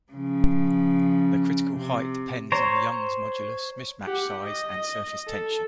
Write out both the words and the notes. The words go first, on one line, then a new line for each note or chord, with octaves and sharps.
The critical height depends on the Young's modulus, mismatch size, and surface tension.
C#3 F3
C3
C5 C#5 A#5
G4 F#5
D#5
A4